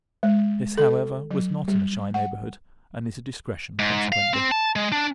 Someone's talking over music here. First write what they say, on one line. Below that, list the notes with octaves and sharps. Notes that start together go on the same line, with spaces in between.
This, however, was not in a shy neighbourhood, and is a digression consequently.
G#3
A4
F#3
G3
F#5
G#2
F5
C4
A5
G#3
D4